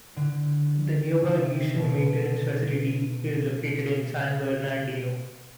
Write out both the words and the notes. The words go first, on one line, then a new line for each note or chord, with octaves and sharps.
The nearby Eastern Maintenance Facility is located in San Bernardino.
D3
C3
B2